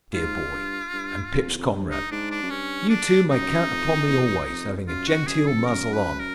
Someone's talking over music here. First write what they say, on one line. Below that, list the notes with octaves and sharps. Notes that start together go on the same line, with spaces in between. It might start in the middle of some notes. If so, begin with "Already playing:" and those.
Dear boy, and Pip's comrade, you two may count upon me always having a gen-teel muzzle on.
G#2 F4
G2
G2
F2
E2
F2
F#2
G2
D#4
G#2 D4
D4
F#2
G2 C#4
D4
F#2 D#4
F#2
F2
E2
F2
F#2 F4
F#4
F#2 G#4
A4
F2
F#2 A#4
B4
A#4